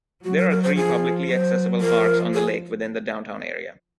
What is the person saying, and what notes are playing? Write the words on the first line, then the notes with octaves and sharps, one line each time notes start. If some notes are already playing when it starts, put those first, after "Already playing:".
There are three publicly accessible parks on the lake within the downtown area.
F#3 F#4
A#4
A#4
C5
F3 G#4
F#3 C5
F3 A#4
G#4